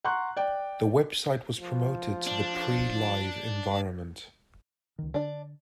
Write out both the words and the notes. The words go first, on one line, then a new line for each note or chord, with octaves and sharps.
The website was promoted to the pre-live environment.
F#5 A#5 C6 C#6 F#6
D5 G5
F3
D4
C#2 D#3
D3 D4 D5